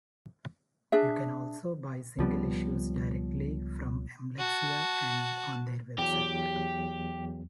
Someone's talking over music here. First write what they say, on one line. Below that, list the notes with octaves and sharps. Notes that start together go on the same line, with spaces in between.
You can also buy single issues directly from Mslexia and on their website.
D4 G#4 E5
C#2 F3 G3 B3
F#4 A5
E2 F#3 G4